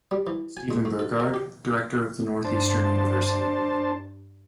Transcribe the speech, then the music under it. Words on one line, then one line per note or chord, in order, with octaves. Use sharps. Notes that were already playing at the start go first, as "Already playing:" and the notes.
Stephen Burgard, director of the Northeastern Univ.
G3
E3
G#5
G#3
A3
A4
A#4
G4
G2 D4 C5 A5